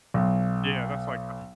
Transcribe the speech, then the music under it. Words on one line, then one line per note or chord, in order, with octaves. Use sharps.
Yeah, that's like
B1